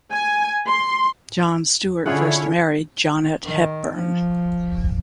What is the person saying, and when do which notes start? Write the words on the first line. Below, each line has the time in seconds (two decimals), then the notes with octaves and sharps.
John Stewart first married Jonet Hepburn.
0.12 G#5
0.68 C6
2.06 D3 C#4 E4 F4 G#4 C#5 F#5
3.44 D#3
3.95 F3